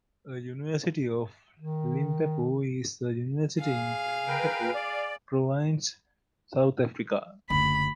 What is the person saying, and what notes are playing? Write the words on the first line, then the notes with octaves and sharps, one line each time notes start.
The University of Limpopo is a university in the Limpopo Province, South Africa.
D#3
G#4 F5
A#4 B4 G5
D5
F#1 D2 B5